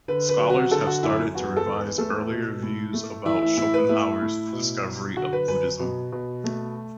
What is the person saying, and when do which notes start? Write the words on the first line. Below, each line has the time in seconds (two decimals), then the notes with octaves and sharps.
Scholars have started to revise earlier views about Schopenhauer's discovery of Buddhism.
0.08 D3 B4
0.29 B4
0.39 F#3
0.50 F#4
0.71 D3 A4
0.87 F#4
1.03 F#2 E4
1.35 E2 F#4
1.57 A4
1.66 E2
1.98 A3 A4
2.30 B2
2.63 A2
2.93 A3
3.26 E3 E4
3.42 E4
3.57 A2 E4
3.74 B4
3.89 A3 E4
4.22 A2
4.52 B2
4.85 F#3
5.16 D3 F#4
5.33 B4
5.48 F#2 B4
5.79 B2
6.12 B2
6.44 A3